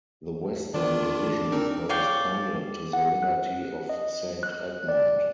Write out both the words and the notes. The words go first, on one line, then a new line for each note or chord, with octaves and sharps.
The western division corresponded to the Liberty of Saint Edmund.
D#3 D4 F4
C4 D#4 A#4
C#5 D5 F5 G5
F#5
F#6
D#5
F#6
D5